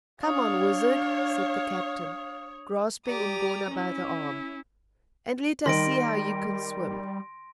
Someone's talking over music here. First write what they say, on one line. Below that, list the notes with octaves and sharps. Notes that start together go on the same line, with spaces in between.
"Come on, Wizard," said the captain, grasping Umgona by the arm, "and let us see how you can swim."
D4 C#5 F5 D#6
G4 D5 A#5 D#6
C#4 E4
D#3 G3 C6 A#6 D7